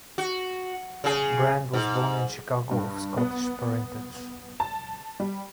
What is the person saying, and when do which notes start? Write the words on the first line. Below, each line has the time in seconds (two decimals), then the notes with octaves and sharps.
Brand was born in Chicago of Scottish parentage.
0.18 F#4
1.04 C#3 G#4
1.74 G#2
2.71 G2
3.17 B3
4.60 A5
5.20 G3